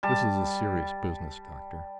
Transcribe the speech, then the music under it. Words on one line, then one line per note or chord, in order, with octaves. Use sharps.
"This is a serious business, Doctor."
G3 A5